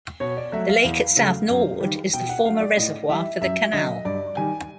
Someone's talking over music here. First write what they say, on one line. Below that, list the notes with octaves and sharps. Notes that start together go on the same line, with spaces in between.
The lake at South Norwood is the former reservoir for the canal.
B2 C#5
D5
F#3 A3 E5
F5
E2
C#3 F#3 A3
F#2
D#3 G3
B2 G5
F#5
F#3 A3 F5
D5
A2 D#5
E3 G3 E5
F#2 E5
D3 F#3 D#5
G2 D5
D#3 G3 G#5